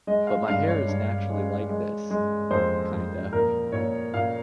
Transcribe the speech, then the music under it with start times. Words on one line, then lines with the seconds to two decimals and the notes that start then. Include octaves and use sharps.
But my hair is naturally like this... Kinda.
0.07 G#3 D#5
0.27 F5
0.48 G2 F5
0.68 C#5
0.88 G2
1.30 G#3
1.69 G#3
2.11 G#3
2.51 F2 C5
2.92 F2
3.32 A#2 A#4
3.72 A#2 C#5
4.14 A#2 F5